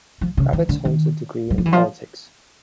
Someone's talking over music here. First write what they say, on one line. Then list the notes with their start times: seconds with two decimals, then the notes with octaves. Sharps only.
Kravitz holds a degree in Politics.
0.21 F3
0.37 C#3
0.53 D#3
0.69 D3
0.85 D#3
1.50 F#3
1.58 F3
1.65 E3
1.72 F3